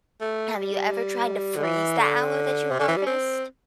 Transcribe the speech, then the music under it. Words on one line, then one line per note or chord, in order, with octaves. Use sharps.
have you ever tried to freeze the aloe that you harvest?
A3
G3
D3
E3
D3
C3
D3
E3
G3
C4